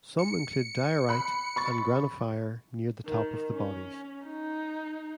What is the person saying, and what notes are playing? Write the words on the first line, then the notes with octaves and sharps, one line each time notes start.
Some include diorite and granophyre near the top of the bodies.
C#7
B5 F#6
B5 C#6 A6
D#3
C#4
D#4